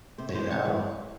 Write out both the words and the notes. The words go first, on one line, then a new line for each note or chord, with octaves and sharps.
You know?
C3 C5
C#5
E3 G#3 C5
C3 C#5
E3 G#3 C#5